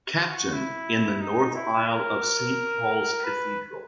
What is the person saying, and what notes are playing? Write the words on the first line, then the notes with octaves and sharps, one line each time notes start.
"Captain", in the north aisle of Saint Paul's Cathedral.
F#4
E4
D#4
E4
A#4
B4